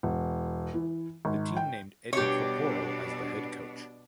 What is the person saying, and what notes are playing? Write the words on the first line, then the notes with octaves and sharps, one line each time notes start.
The team named Eddie Corporal as the head coach.
E1
E3
G#1
G5
B2 G3 D4 G4 C#5